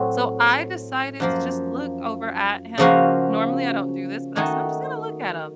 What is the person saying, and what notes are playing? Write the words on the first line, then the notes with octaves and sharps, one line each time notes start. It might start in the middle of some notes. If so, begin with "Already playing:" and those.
So, I decided to just look over at him. Normally, I don't do this, but I said, "I'm just gonna look at him."
Already playing: A2 F#3 C4 F#4
F#2 F3 A#3
C#3 F3 A#3 C#4 F#4
D#3 A3 D#4 F#4